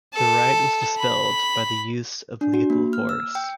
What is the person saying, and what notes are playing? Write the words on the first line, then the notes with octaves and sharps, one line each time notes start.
The riot was dispelled by the use of lethal force.
A4
B5
D4
F#4
A#3
F6
E6
G5